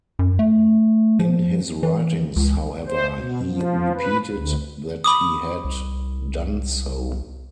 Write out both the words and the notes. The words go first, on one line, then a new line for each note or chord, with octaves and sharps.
In his writings, however, he repeated that he had done so.
F#2
A3
F3
E3
C#2
C5
B2
F3
B4
D2
B5 D6 D#6
C2